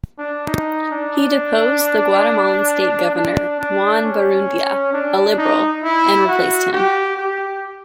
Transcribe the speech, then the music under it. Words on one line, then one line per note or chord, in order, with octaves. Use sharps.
He deposed the Guatemalan state governor, Juan Barrundia, a Liberal, and replaced him.
D4
D#4
D4
D4
D4
C#4
D4
D#4
E4
F#4
G4
G4